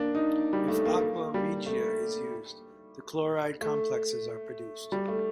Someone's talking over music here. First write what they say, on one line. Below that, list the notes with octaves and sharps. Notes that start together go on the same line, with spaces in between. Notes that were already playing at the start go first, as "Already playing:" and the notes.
If "aqua regia" is used, the chloride complexes are produced.
Already playing: A#3 D4
D#4
G3
A3
A#3
A3
A#3
G3
A3
A3
G3
A3